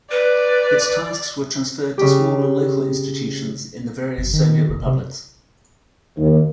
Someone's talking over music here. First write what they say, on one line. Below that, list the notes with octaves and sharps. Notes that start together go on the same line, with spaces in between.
Its tasks were transferred to smaller, local institutions in the various Soviet republics.
B4 D5
C#3 C#4 G4
F#1
D#3
F1
C3
D#2